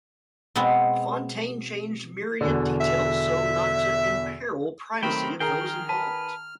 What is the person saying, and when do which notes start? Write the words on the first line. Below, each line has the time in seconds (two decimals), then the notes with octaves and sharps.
Fontane changed myriad details so as not to imperil privacy of those involved.
0.55 B2 G#3 B3 C4
2.41 E2 B2 D3
2.81 E5
5.03 D#3 F#3 A3 C4 G5 B5
5.40 D#3 G#4 A#4 G5 F6 C7
5.89 B4 A5